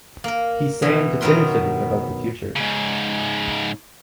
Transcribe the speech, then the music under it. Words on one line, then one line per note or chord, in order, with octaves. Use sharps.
He sang definitively about the future.
A#3 A#4
B2 E3
B2 D#3 F#3 A#4 B4 C6
G#2 C#3